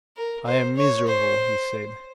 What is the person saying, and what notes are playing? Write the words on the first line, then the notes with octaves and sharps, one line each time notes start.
"I am miserable," he said.
A#4
C5
C#5
C5